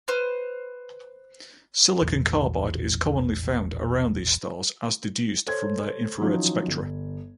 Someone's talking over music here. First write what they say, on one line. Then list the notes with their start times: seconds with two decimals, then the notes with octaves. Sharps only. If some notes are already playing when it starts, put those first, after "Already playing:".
Silicon carbide is commonly found around these stars, as deduced from their infrared spectra.
0.08 B4 C5 F6
2.02 E1 A#1 E2 A2
5.47 A4 C5 C#5 G#6
6.21 D#3 F3 F#3 C#4 D#4 E4
6.67 G1